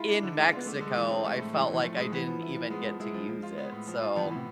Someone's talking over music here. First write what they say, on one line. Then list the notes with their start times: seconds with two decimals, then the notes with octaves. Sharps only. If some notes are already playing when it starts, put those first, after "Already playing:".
in Mexico, I felt like I didn't even get to use it, so,
Already playing: G#3 E4 F4
0.08 D4
0.23 D3
0.37 G#3 E4
0.47 D4
0.52 B3 F4
0.66 A3 D4
0.76 G#3
0.81 D3
0.86 G#3
0.96 E3
1.10 C4
1.25 A3
1.39 A2
1.53 E3 G#3
1.68 C4
1.74 E3
1.83 F3 A3
1.97 A2 G#3
2.12 E3 B3
2.27 F3
2.41 E4
2.56 F3
2.70 G#3 B3
2.85 F3
3.00 G#3 E4
3.14 F3
3.29 F3
3.43 F4
3.58 B3
3.72 A2
3.87 F3
4.01 F4
4.16 F3 B3
4.26 E3
4.31 A2 C3